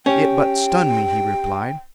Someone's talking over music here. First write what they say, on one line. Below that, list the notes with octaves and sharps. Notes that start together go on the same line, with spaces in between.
"It but stunned me," he replied.
C#4 G4 G5